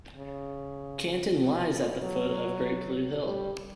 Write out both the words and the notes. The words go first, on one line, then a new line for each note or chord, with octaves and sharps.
Canton lies at the foot of Great Blue Hill.
C#3
B2
B2
F#3
G3